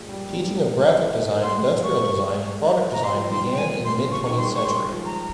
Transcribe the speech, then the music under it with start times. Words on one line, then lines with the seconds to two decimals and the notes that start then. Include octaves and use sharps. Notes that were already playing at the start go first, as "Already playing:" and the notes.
Teaching of graphic design, industrial design and product design began in the mid-twentieth century.
Already playing: G2 A#2 F3 G#3
0.09 G3
0.30 D#3
0.36 F3
1.43 G3 C6
1.70 G#3
1.83 C#6
1.97 G#3
2.24 G#3
2.93 A#5
3.04 G3 C6
3.14 F3
3.24 G3
3.31 C6
3.52 G5
3.57 G#5
3.85 F3 C6
4.05 C#3
4.11 C#6
4.25 D#3 C#6
4.35 G3 C6
4.44 G#3
4.56 C#6
4.65 G#3 C6
4.92 F3
5.05 A#5